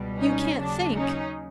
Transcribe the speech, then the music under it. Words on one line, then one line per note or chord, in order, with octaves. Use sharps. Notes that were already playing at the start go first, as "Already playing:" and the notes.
You can't think.
Already playing: C#2 B2 G3
C#4 D#4
D#2 C#3 F#3 D4
C#4 D#4